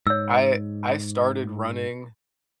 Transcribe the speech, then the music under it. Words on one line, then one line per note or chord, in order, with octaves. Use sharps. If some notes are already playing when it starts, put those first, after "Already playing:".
I I started running,
G#2 C#5 E6